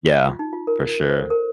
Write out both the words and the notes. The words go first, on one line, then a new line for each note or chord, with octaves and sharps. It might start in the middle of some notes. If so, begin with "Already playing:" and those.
Yeah, for sure.
F4
D#4
F4
A#4
C5
A4
A#4